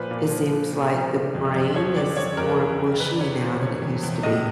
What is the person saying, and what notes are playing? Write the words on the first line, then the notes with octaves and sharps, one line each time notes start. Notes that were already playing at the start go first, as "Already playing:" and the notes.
it seems like the brain is more mushy now than it used to be.
Already playing: A#2 F3 B4 C5
A#2
F3
F3
A#2
F3 C5
D3
F2
F2
F3 C#5
D3 D5
F2 C#5
F2 A#4
E3
C#3
E2 B4
D5
E2 C#5
E3 C5
C#3 C#5
E2
E2
A2 D#5